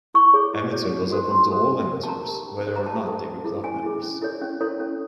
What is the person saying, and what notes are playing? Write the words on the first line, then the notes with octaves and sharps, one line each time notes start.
Amateur was opened to all amateurs, whether or not they were club members.
E4 C#6
G#4 C#5
E4
G#4 C#5
D#4
F#4 A4 C5
D#4 C6
F#4 A4 C5
D#4
G4 A#4
A5
D#4 A#5
G4 A#4
C#4
F#4 A4 C5
A#5
C#4 A5
F#4 A4 C5
C#4
E4 G#4
C#4 G#5
E4 G#4
C#4
E4 A4 C#5
C#4
E4 A4 C#5
C#4